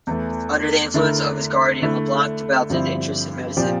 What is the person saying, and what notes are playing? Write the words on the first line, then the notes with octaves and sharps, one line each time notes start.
Under the influence of his guardian, Leblanc developed an interest in medicine.
E2 E3 A3
D3 A3 E4 A#4
D3 A3 E4
G2 D3 F3 C4 E4
A#2 F3 C4 G4 D5